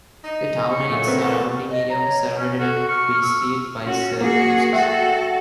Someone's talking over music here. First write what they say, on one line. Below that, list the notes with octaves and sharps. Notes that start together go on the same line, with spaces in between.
The town and its surrounding area was surrounded and besieged by Serb forces.
D#4
C#6
A#2 C#3 F#3 A3
C4 A#4 B4
E3 A4 F#5
D#5
C#5 A#5
C#4
F#4 A4
C#6 F6
E6
C#4 F#4
A#3 F#4 G#4
F#4 A4 E5 F#5 G5